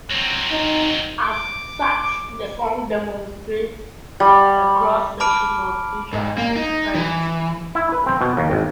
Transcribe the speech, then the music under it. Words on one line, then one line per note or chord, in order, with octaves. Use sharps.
As such, the song demonstrates a cross section of Israeli society.
F#3 C4
D#4
D6
G3
A5 B5 D6 F6 D7
G#2
A#3
D#4
E3
E4
B4
C4
B2
D#2
G#1